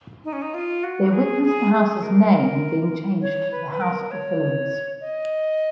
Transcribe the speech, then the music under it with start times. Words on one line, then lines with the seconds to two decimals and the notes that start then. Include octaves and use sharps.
They witness the House's name being changed to the House of Villains.
0.24 D#4
0.33 C#4
0.42 D#4
0.54 F4
0.84 F#4
1.13 G#4
1.43 G#4
1.73 G#4
2.03 A#4
3.21 C#5
3.52 B4
3.71 B4
3.81 A#4
4.11 C#5
5.01 D#5